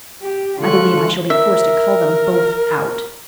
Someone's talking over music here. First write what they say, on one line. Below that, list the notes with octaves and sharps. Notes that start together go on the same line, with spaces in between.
I believe I shall be forced to call them both out.
G4
D3 G#3 F4 A4 C#6 F#6
A#4 E5